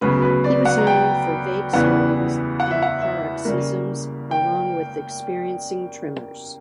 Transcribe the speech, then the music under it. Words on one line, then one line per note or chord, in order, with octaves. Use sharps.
He was known for "vague 'startings' and 'paroxysms'", along with experiencing tremors.
D2 C#3 F#3 B3 B4
B4
D5
F#5
A#5
G5
E2 C#3 E3 G3 B3 F#5
F#5
E5
F#5
E5
C#3 G3 A#3
G5